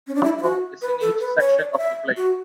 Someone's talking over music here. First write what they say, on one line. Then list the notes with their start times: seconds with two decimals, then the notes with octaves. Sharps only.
One row is in each section of the plane.
0.07 C#4
0.15 D4
0.24 E4
0.38 E4
0.42 F#4
0.82 B4
1.01 A4
1.20 B4
1.40 C#5
1.59 D5
1.73 D5
1.78 E5
2.17 F#4